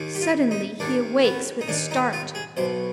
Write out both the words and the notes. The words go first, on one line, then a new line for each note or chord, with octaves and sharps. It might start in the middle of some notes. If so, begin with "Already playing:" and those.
Suddenly he awakes with a start.
Already playing: D#2 D#3
G4
F4
D#4
D#2 D#3 D4
B3
D#4
D#2 D#3 D4
D#4
F4
G#4
B1 B2 C5